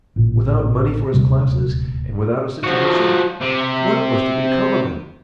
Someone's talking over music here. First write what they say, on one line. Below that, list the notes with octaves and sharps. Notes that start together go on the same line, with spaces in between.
Without money for his classes, and without a situation--what was to become of him?
A1 A#2
D#1 D2 C3 G3
F3 F#4
C3